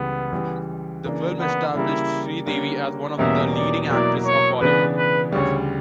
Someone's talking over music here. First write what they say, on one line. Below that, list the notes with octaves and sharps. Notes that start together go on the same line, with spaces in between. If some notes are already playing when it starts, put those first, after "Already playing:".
The film established Sridevi as one of the leading actress of Bollywood.
Already playing: C#2 C#3 E3 G3 B3
C#3 E3 G3
C#3 E3 A#3 D4
B3
C#3 G3 A#3 E4
D3 G3 A#3 C#4
E2 B2 G3 A#3 C#4 E5
D5
B2 F#3 A#3 E4 D5
C#5
C#3 E3 B3 D4 B4
B4
D2 C#3 G3 C#5